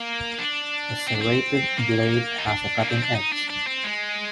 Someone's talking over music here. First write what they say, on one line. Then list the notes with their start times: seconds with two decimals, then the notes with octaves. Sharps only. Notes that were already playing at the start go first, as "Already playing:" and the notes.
A serrated blade has a cutting edge.
Already playing: A#3
0.38 D4
1.08 C4
1.15 D4
1.22 C4
1.77 A#3
2.39 D#4
2.46 D4
2.77 A#3
2.90 C4
3.02 D4
3.15 D#4
3.32 D4
3.50 D4
3.67 C4
3.84 G#3